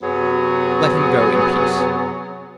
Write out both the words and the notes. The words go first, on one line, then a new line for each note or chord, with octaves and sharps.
Let him go in peace.'
F#2 C3 F#3 B3 F#4 G#4